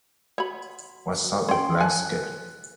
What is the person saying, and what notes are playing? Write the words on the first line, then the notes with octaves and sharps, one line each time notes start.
What sort of landscape?
F#4 C#5 B5
C#4 G5 C6
G#5 A5 F#6